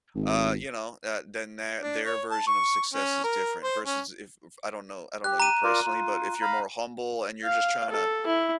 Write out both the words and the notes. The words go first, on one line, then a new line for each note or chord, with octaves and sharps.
uh, you know, uh, then th their version of success is different versus if f I don't know, I don't know you personally, but if you're more humble and you're just trying to
G#1
D4
C#5
A5
C#6
C#4
A#4
C5
C#4
G4 F#6
A#5 D#7
F4 A#4 D5
F4
F5 A#5 B5
F5
A4
E4